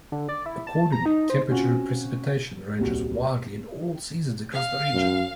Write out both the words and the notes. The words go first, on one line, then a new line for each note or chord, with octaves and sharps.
Accordingly, temperature and precipitation ranges wildly in all seasons across the region.
D3
D5
E4
A5
A#5
D#4
C5
C4 C#4 F4 F#4
D#1 C2 F#4
F5
F#2